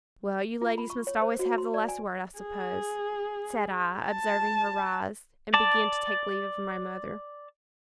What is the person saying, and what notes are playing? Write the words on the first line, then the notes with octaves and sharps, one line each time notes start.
'Well! you ladies must always have the last word, I suppose,' said I, observing her rise, and begin to take leave of my mother.
F4
B5
C#6
C#5
C5
F#4
C6
D5
G#5
G#4
A5
D5 A5